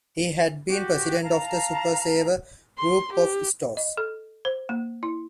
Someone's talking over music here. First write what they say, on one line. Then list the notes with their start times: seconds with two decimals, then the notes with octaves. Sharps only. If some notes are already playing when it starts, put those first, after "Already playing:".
He had been President of the Super Saver group of stores.
0.67 F#4 G4
1.23 F5 A5 A#5
2.79 C6
3.13 G4
3.77 D#5
3.97 A4
4.45 C5
4.69 A#3
5.03 E4